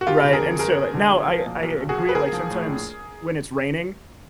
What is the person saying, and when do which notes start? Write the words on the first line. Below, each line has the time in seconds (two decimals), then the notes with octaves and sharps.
Right, and so now, I I agree, like, sometimes when it's raining,
0.01 F#4
0.07 G1 F4 G4
0.25 D3
0.33 G#4 A#4
0.41 F2
0.59 G1 G#4 A#4
0.76 G1
0.94 D3
1.11 B1
1.28 F3
1.46 A#2
1.63 B1
1.80 B1
1.89 F#4 G#4
1.98 F3
2.09 B4
2.14 A#1 G#4 A#4
2.33 F3
2.50 A2
2.67 A#1